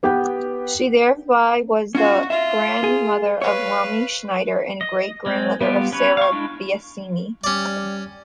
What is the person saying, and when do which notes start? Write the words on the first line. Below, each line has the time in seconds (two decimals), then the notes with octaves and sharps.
She thereby was the grandmother of Romy Schneider and great grandmother of Sarah Biasini.
0.03 B3 G4 B4 F#5 G5
1.95 C#4 F4 F#4
2.30 F4 E5
2.84 G#4
3.42 B4 C#5 F5
4.81 D#5
5.26 G#3 C4
5.61 G3 B3 F4 G4
5.92 C#4 B4 C#5
6.17 F5 C#6
6.32 G#3 D4 E4
7.44 G3 C#4 D5